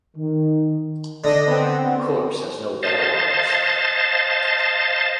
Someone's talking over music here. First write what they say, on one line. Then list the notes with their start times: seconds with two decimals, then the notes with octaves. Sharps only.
The Corps has no battle honours.
0.17 D#3
1.24 D3 D4 D#5 A#6
1.47 B3 C4
2.83 C5 D#5 F5 A5 A6